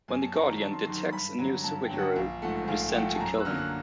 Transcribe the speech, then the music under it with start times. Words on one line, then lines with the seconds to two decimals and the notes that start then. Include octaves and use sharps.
When the Guardian detects a new superhero, it is sent to kill him.
0.08 F#2 G#5
0.22 A5
0.35 D#3 F#3 A#5
0.47 A#5
0.61 F#2 A5
0.73 C6
0.86 D#3 F#3 C6
1.00 C6
1.13 G2 B5
1.38 D3 F#3 A#5
1.57 A#5
1.64 G2 A5
1.82 G5
1.90 D3 F#3
1.98 F#5
2.16 A#1 F5
2.42 G#2 F3 A3 F#5
2.68 A#1 F5
2.81 F5
2.89 G5
2.93 G#2 F3 A3 F#5
3.07 G#5
3.14 A5
3.20 F#2 A#5
3.33 E6
3.40 F#6
3.45 D3 F#3 A#3 F6
3.58 F#6